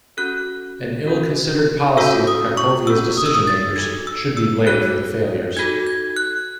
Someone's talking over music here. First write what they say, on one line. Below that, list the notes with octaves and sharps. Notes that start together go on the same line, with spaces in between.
An ill-considered policy of Cracovia's decision-makers should be blamed for the failures.
C#4 F#4 A4 F#6
C#4 F#4 A4
C#4 F#4 A4 E6
D#6
C#6
C#4 F#4 A4 E6
D#6
E6
D#6
A6
D#4 F#4 A4 G#6
E6
E6
D#4 F#4 A4 F#6
D#4 F#4 A4 G#6
G#6
F#6